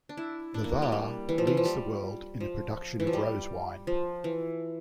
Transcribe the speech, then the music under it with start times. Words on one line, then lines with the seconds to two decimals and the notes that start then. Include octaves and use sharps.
The Var leads the world in the production of rose wine.
0.09 D4
0.17 E4
0.54 D4
0.64 A#3
0.82 G3
0.92 G3
1.29 E3
1.38 F3
1.47 E3
1.57 F3
1.65 G3
2.40 F3
3.00 E3
3.07 F3
3.13 G3
3.87 F3
4.24 E3